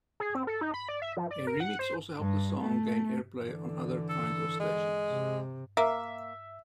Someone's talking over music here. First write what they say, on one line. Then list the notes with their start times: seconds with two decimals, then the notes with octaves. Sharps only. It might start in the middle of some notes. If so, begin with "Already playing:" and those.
A remix also helped the song gain airplay on other kinds of stations.
0.20 G#4
0.35 C4
0.47 A4
0.61 D#4
0.74 B5
0.89 D5
1.02 E5
1.17 F3
1.31 D5
1.47 A#4
1.60 F#5
1.79 C5
2.21 G2
2.60 A3
3.42 D3 E3
4.09 A4
4.60 G#3
5.10 C3
5.77 A#3 E5